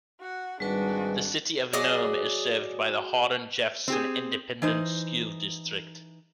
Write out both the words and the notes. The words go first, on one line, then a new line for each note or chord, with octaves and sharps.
The City of Nome is served by the Hardin-Jefferson Independent School District.
F#4 F#5
G#1 G3 D4 D#4 F#4 G#4 B4
F#3 G#4 D5 D#5
C4 G4 G#4
E3 D#4 C5